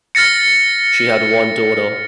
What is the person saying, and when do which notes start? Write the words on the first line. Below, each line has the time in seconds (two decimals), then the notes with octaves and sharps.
She had one daughter.
0.15 F6 A6 A#6 C#7